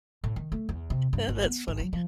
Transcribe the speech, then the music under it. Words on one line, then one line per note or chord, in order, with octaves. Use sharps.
Yeah, that's funny.
A2
D#3
A3
E2
C3
G2
G#1
B3
G#1
F#3
F3